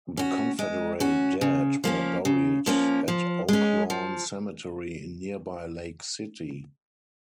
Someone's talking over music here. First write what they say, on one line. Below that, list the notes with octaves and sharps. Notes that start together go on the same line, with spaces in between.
The Confederate dead were buried at Oaklawn Cemetery in nearby Lake City.
C#4 F#4
G#3
C#4 F#4
C#3
F3 A#3 C#4
C#3
F3 A#3 C#4
F3
G#3 C#4
F3